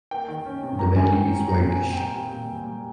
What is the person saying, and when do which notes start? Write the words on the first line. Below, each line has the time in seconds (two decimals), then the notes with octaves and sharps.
The belly is whitish.
0.11 A#3 G5
0.28 D#3
0.46 C#4
0.63 C3
0.79 A#3 A#5
0.96 D#3 G#5
1.14 A#3 G5
1.30 C#4
1.48 A#2 A#5
1.64 C4
1.70 G#5
1.82 C4
1.93 G5
1.99 G3
2.16 G3
2.33 A#2
2.50 A#2
2.67 G3